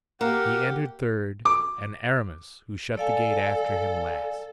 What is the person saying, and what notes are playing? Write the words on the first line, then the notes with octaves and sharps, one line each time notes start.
He entered third, and Aramis, who shut the gate after him, last.
A#3 G4 A#4 F#5
D6
A4 D5 F5 G#5